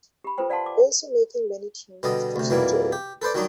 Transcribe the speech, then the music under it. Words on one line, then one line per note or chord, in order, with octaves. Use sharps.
Also making many tunes with Juicy J.
G4 B5
F4 A4 B4 C5 G5
D5 F5 F#5 A5 C6
D6
B2 D3 G3 D#5
D2 C3
F2 B2 E3 G3 A#3
G4
A4 B4 C5 D5
D#3 F#3 G3 D4 D#4